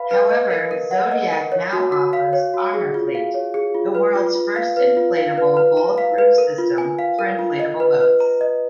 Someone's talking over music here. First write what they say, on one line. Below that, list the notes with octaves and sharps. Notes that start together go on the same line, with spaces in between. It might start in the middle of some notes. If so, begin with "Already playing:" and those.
However, Zodiac now offers ArmorFlate, the world's first inflatable bulletproof system for inflatable boats.
Already playing: B4 F5 B5
B4
D#5
A#4
A#4
F#5
D#5
A#4
C#5
F#4
F#4
F5
C#5
F#4
G#4
F4
F5
C#5
G#4
F4
B4
F4
F4
F5
B4
F4
F5
B4
B4
A#5
F5
B4
A#4
F4
G#5
F5
A#4
F4
D#5
B4
B4
A#5
D#5